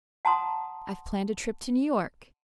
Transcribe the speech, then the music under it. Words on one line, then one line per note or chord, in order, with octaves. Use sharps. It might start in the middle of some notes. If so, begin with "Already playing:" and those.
"I've planned a trip to New York."
F#5 A5 A#5 C6 D#6